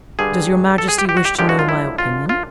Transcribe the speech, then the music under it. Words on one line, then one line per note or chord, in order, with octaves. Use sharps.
"Does your majesty wish to know my opinion?"
G2 D3 G3 G#4
A4
G#4
G4
G4
F#4
G4
F#2 D3 F3 G#3 G4
F#4
F4
E4
F4
F4